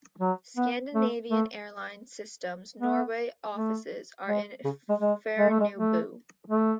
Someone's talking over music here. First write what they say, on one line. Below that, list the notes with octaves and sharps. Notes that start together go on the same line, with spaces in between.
Scandinavian Airlines System's Norway offices are in Fornebu.
F#3
B3
A3
A3
B3
A3
G#3
C#3
G#3
G#3
G#3
A3
G#3
A3
A3